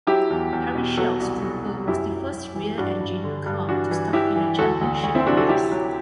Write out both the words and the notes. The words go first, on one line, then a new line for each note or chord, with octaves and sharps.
Harry Schell's Cooper was the first rear-engined car to start in a championship race.
F#3 E4 G4
E2
E2
B2
F#3 F#4 A4
C2
C2
C3
F#2 E4 G4
F#2
F#2
E3
G2 D4 F#4
G2
D3
G2
E3 D4 F#4
E3
E3 E4 G4
E3
D2 F#4 A4
D2
D2
C4 E4
C3 D4 F#4
F#4 A4
F#3 E4 G4
F#3